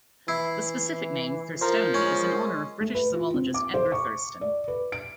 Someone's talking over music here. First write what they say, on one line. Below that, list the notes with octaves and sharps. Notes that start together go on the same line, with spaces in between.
The specific name, "thurstoni", is in honor of British zoologist Edgar Thurston.
E3 E4 C7
F3 A#4 C5
G#3 C#4
A3
B4
F4
C4
D6
C5
C#6
D5
B4
D7